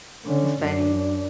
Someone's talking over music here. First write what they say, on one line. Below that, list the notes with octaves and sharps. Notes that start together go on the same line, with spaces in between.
it's funny.
D3 C#4
F#2 D4